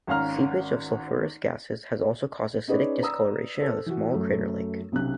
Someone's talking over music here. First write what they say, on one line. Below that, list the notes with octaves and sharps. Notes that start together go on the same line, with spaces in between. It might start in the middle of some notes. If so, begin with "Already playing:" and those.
Seepage of sulfurous gases has also caused acidic discolouration of the small crater lake.
G#1 C#4 F5 A#5 F6
C#4 D#4 G#4 B4 C#5 D5
B4 D5 A#5 D#6 E6
A4 C5
E3 F#4
F#2 A3
B1 C3 C#4 F#6